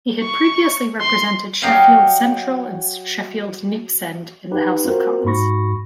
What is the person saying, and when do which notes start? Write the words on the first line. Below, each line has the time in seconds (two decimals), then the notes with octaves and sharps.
He had previously represented Sheffield Central and Sheffield Neepsend in the House of Commons.
0.21 C#6
1.00 C6
1.62 F#3 G4 C5 D#5 F5
4.51 D#4 G4 B4
4.85 C4 F4 F#4 A#4 C5
5.25 G#2 F#4 B5 C#6 A#6